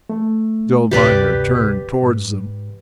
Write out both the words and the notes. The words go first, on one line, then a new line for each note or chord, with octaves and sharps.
The old miner turned towards them.
A3
D2 G2 C3 G4 B4 D5
G#2